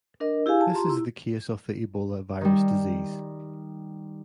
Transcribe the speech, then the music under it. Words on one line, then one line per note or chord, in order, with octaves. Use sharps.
This is the case of the Ebola virus disease.
D4 A#4 D#5
E4 G4 G#4 F5 G#5
G#4 A5
F4 G4 A#5 C6
E4
D#3 G3